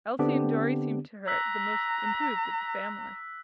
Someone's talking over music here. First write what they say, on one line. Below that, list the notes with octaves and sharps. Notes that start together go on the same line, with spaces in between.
Elsie and Dorry seemed to her the most improved of the family.
D3 B3 C4 D4 G4
A#5 E6 F#6 B6